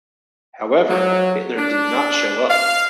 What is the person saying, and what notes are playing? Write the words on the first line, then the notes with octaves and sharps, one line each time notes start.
However, Hitler did not show up.
F#3
D4
F5